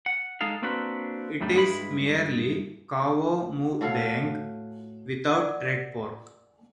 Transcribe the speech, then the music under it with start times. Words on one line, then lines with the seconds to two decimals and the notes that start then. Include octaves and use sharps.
It is merely "khao mu daeng" without red pork.
0.06 F#5
0.41 G#3 D#4 G#4 A4 F5
0.62 A#3 C4 D4 F#4 B4
1.41 F#2 A2 G3 A3
1.55 G2 G#3 E4 A#4 B5
3.81 A2 F#4 A4 F5
5.34 A#4 D5 F#5